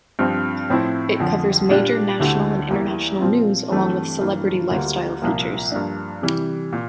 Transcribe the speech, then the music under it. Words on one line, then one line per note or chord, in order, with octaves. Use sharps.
It covers major national and international news along with celebrity lifestyle features.
G2 F3 C4
A2 F3 C4 E4
F2 D3 F3
A#2 G3 D4 G4
D2 D3 A3 E4 G4
E2 E3 A#3 E4 G4
A#2 F3 C4 F4
G2 E3 A3 C4 G4
G2 E3 A#3
D2 D3 G3 A#3 F4
C2 A#2 F3 A#3
G2 F3 A#3 D4
C3 E3 G3
A#2